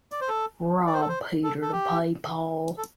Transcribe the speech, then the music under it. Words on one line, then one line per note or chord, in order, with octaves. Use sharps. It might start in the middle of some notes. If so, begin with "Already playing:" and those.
Rob Peter to pay Paul.
D5
C5
A4
D5
C5
A4
C5
A4
A4
G4
A4